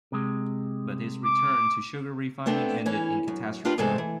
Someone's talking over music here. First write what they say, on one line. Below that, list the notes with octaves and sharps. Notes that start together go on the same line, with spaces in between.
But his return to sugar-refining ended in catastrophe.
C3 G#3
D6
A3 B3 C4 D4 A4
E3 C#4
F#2
D4 F4 G4 B4
E2 G#2 C3 G#3 A3 A4
E3